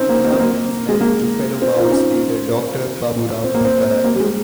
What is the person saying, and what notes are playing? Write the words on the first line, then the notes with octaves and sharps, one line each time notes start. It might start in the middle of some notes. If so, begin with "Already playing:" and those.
Yami is married to fellow Maoist leader Doctor Baburam Bhattarai.
Already playing: C4 C#4 D#4
A#3
A#3
C4
A#3
G#3
A#3
C4
F4
D#4
C#4
C4
A#3
C4
A#3
G3
G#3